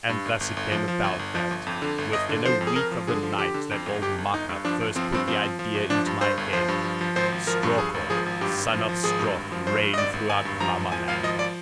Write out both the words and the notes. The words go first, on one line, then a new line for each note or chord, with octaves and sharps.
And thus it came about that, within a week of the night that old Maka first put the idea into my head, Strokor, son of Strok, reigned throughout Vlamaland.
G2
G1
G1
G1
F3
F3
G1
G1
F3
G1
F2
D3
G1
G1 D#5
D3
F3 C5
F2
G#4
F2 A#4
F3
D3 G#4
F3
D3 G4
D3
F2
G1
G1 G4
G1
G1 D#4
G2
F3 D4
G1
F3 C4
G2 C4
F3 C4
F3
F3
G1
F3 D4
G2
G2 C5
G1
F3 C5
G2
F3
F3
G#1 C5
G#1
F3 A#4
G2
G2 G#4
G#1
F3 G#4
G#1
G2 G4
G#1
F3
F3
G#1 G#4
G2
G#1
F3
G2 C5
G2
D#5
G#1 D5
G#1
G#1 G#5
G2
F3 A#5
G#1
F3 G#5
G#1 F5
F3 D#5
D5